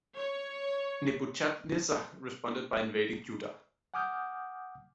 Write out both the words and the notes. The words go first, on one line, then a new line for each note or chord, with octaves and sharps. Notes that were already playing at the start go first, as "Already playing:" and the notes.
Nebuchadnezzar responded by invading Judah.
C#5
F#5 G#5 D6 D#6 F6 G6